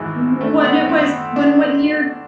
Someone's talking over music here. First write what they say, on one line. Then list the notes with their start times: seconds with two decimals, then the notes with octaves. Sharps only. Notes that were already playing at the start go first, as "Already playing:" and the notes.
When it was when what year?
Already playing: G#1 G#2 E3
0.41 A3
0.60 C4
0.64 B3
0.89 C4
1.36 D4